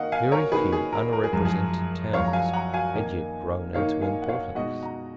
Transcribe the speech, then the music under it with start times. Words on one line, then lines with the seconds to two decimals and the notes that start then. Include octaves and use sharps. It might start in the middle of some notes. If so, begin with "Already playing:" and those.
Very few unrepresented towns had yet grown into importance.
Already playing: D#3 A#3 D#4 F#4 A#4 D#5 F5 F#5
0.12 F5 G#5
0.32 A#4 C#5
0.52 D#3 A#3 D#4 F#4 G#4 A#4 B4
0.73 G#4
0.93 A#4
1.13 A#4
1.24 G#4
1.33 F#2 C#3 F3 G#3
1.45 G#4
2.14 F#2 C#3 F3 G#3 C#5 F5
2.25 A#5
2.33 F5 G#5
2.53 F#5 A#5
2.73 F5 G#5
2.94 D#3 A#3 D#4
3.74 D#3 A#3 D#4 C#5 F5
4.01 F5 G#5
4.22 F#5
4.29 C#5 F5
4.55 B2 G#3 D#4 F#4 D#5 F#5
4.82 F#5 A#5